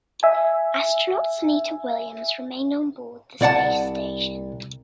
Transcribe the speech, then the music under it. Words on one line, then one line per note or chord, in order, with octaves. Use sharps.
Astronaut Sunita Williams remained on board the space station.
E5 G#5
C2 D5 F#5 A5